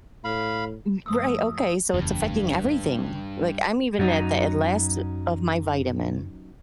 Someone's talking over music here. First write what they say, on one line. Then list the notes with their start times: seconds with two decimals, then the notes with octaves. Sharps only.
M right, okay, so it's affecting everything, like, I'm even at the at last of my vitamin
0.24 A2 F5 B5
1.06 G2 F3 A3 D#6 E6
1.94 F#1 E2 G2
3.99 F#2 F#3 C#4 D#4